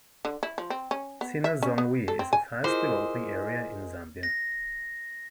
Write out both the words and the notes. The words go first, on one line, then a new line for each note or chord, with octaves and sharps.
Sinazongwe is a fast developing area in Zambia.
D3
E4
F3
C4
C#4
B3
E5
C#4
B3
A4
C4
G#5
E4 F4 G#4 A#4 C5 D#5 G#5 D6
A#6